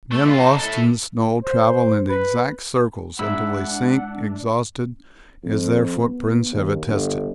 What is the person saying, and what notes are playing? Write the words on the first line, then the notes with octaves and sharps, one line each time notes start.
Men lost in the snow travel in exact circles until they sink, exhausted, as their footprints have attested.
A3
B2 F4
D#4 A5
E4 A4
C5
B4
G#2 D4 E4 F#5 B5 E6
F2
B3
D#2
G1